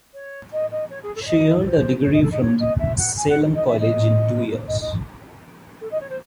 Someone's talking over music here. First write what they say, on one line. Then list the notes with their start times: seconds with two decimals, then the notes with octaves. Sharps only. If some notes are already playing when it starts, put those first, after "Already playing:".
She earned her degree from Salem College in two years.
0.14 C#5
0.52 D#5
0.71 D#5
0.90 C#5
1.03 G#4
1.15 A4
1.22 C#5
1.27 D#5
1.65 C5
2.03 C#5
2.13 D#5
2.22 A4
2.31 D#5
2.41 C#5
2.60 D#5
2.79 E5
2.98 F#5
3.16 G#5
3.29 F#5
3.55 D#5
3.67 E5
3.80 D#5
4.67 D#5
4.81 D#5
5.81 A4
5.91 D#5
6.00 C#5
6.09 C5